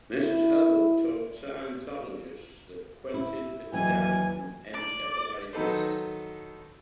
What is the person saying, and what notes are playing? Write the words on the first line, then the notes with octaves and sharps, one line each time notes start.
Mrs. Hubbard told Scientologists that Quentin had died from encephalitis.
E4
E4
D#2 E3 F#3 G4 G#5
D5
D#3 F#3 D#4 A4 B4 C5